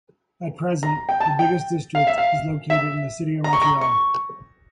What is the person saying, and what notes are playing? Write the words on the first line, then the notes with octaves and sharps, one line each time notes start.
At present, the biggest district is located in the city of Montreal.
A#5
G5
A5
G5
F5
E5
F5
E5
A#5
C#6
A#5
C#6